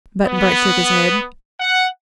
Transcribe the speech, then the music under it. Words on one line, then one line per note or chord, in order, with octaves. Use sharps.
Button-Bright shook his head.
B3
F#5